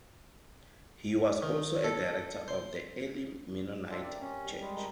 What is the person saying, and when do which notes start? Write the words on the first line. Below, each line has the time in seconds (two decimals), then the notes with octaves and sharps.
He was also a director of the Elim Mennonite Church.
1.42 D#3
1.84 A4
2.48 C5
3.91 D4 F4 G4 A4 E5 C6
4.03 A#3 C4 D5
4.21 C#4
4.44 G3
4.61 G3 G#3 D#6
4.76 D#4 A#4 A5